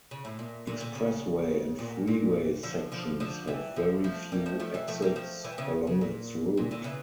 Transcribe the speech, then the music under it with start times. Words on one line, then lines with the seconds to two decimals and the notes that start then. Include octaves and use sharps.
Expressway and freeway sections have very few exits along its route.
0.11 C#3
0.25 A2
0.39 A#2
0.67 A#2 D3
0.80 A#2 D3
0.95 C#3
1.79 A#2
2.07 A#2
2.63 D3 F3
2.92 D3 F3
3.20 D3 F3
3.48 E3 G3
3.76 D3 F3
4.04 F3 A3
4.32 G3 A#3
4.46 F3 A3
4.60 F3 A3
4.74 E3 G3
4.88 F3 A3
5.02 G3 A#3
5.16 F3 A3
5.44 E3 G3
5.58 C#3 E3
5.87 C#3
6.01 A#2
6.57 A#2
6.71 A#2 D3
6.84 C#3 E3